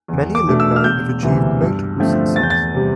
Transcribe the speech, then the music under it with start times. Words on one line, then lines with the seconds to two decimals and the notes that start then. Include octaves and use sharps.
Many alumni have achieved notable success.
0.08 E2
0.35 D6
0.47 B2 A3 D4
0.60 E6
0.76 F6
0.84 E1 G6
1.23 D2 C3 E3
1.61 G2
1.98 D3 F3 A3 C4
2.36 E2 A6
2.43 G6
2.50 A6
2.74 C3 G3